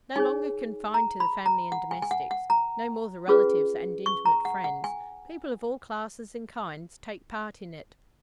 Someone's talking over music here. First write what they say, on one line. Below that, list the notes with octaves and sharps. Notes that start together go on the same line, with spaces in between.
No longer confined to the family and domestics--no more the relatives and intimate friends--people of all classes and kinds take part in it.
D#4 G#4 C#5 G#5
A#5
B5
A#5
F#5
G#5
G#5
F#5
F#5
A#5
C#4 F4 G#4 B4
C#6
A#5
F#5
F#5
G#5